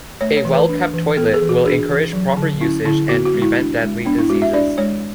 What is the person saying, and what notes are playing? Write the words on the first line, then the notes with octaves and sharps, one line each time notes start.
A well-kept toilet will encourage proper usage and prevent deadly diseases.
A3 C#5
C#5
E3
B4
D4
E3
B3 A4
G#4
E3
F#4
D4 G#4
E3
F#3
D3
C#4 E4
D3 E4
B3 F#4
F#4
G#3
E4
D4
G#3
B3 D4
E4
G#3 F#4
E5
D4 D5
G#3 C#5